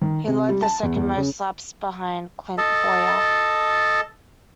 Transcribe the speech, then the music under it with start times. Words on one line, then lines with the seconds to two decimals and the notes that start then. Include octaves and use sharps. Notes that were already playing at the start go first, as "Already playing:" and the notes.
He led the second most laps behind Clint Bowyer.
0.02 D#3
0.27 C3
0.49 G3
0.62 A5
0.83 E2
0.96 E2
1.16 C#3
2.58 A4 D#5 A5